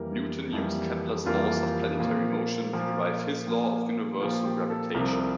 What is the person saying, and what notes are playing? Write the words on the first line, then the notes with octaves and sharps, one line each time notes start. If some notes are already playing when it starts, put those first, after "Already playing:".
Newton used Kepler's laws of planetary motion to derive his law of universal gravitation.
Already playing: F2 E3 G3 A#3 A#4
F2 E3 G3 A#3
F2 E3 G3 A#3 F4
A#2 F3 A#3
A#2 F3 A#3
A#2 F3 A#3
A#2 F3 A#3 F4
G4
A4
C2 C3 F3 A#4